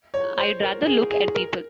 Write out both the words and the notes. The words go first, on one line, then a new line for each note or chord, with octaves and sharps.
I’d rather look at people.
C#5
C5
A#4
G#4
G#4
A#4